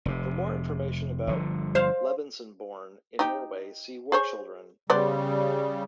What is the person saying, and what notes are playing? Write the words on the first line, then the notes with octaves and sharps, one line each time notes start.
For more information about "Lebensborn" in Norway, see war children.
F1 C3
G1 D3 F3
C5 F5
D#4 G4
G#4 C5 C#5
C#3 G3 B3 C5 D5